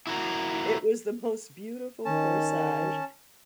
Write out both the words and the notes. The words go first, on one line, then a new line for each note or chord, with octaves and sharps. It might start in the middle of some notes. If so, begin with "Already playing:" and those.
it was the most beautiful corsage,
E4 F#4 A#4
D#3 C#4 A5